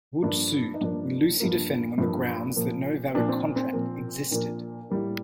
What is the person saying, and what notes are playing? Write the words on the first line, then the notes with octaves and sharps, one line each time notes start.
Wood sued, with Lucy defending on the grounds that no valid contract existed.
G2 F3 A#3 D4
D#4
G2 F3 A#3 D4
G2 F3 A#3
G2 F3 A#3
A#2 F3 A#3
A#2 F3 A#3 D4
C4
C4
A#2 F3 A#3
A#2 F3 A#3 D4
A2 G3 A#3